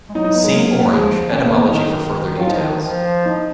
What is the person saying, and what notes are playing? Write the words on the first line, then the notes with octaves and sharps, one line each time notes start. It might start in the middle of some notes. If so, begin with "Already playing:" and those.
See Orange: etymology for further details.
G#3
F#3 D#4
D#4
B3
G#3
A#3
A#3
F#3
F3 G#3
D#3 C#4
C#3 B3
A#3
D#3 B3
F3
D#3 D#4
F#3 F4
F3 D#4
D#3
D#3
F3
D#4